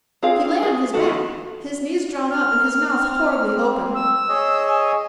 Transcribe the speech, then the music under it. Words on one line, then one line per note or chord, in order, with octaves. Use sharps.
He lay on his back, his knees drawn up, and his mouth horribly open.
C4 F4 G#4 F5
G#4 G#5
D#3 F4 F#4 A4
F6
A#4
C4
E6
G#4 C#5 D#5
G#5